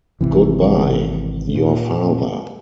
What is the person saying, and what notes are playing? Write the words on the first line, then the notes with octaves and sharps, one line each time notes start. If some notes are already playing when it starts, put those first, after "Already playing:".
Goodbye, Your Father.
G#1 D2 C3 E3
A#2